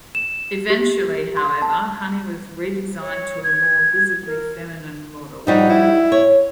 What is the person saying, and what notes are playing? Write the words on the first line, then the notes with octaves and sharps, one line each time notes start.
Eventually, however, Honey was redesigned to a more visibly feminine model.
E7
G4
C6
A5
C#5
G#6
A#4
F3 G3 D#4 F#4
E4
C#5